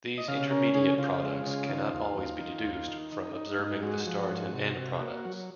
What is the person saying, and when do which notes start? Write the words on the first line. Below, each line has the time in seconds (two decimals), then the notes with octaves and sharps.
These intermediate products cannot always be deduced from observing the start and end products.
0.18 D#5
0.28 C#3 F5
0.51 C#4 A#4
0.74 C#3 G#4
0.98 C#3 F4
1.23 G#3
1.47 C#3
1.69 D#3
1.93 D#2
2.18 D#2
2.41 D#3
2.64 D#2
2.88 D#3
3.12 D#4
3.35 D#4
3.59 G#2
3.82 G#3 F#4
4.06 F3
4.31 G#2
4.53 C3
4.77 C3
5.01 A#3
5.25 F#3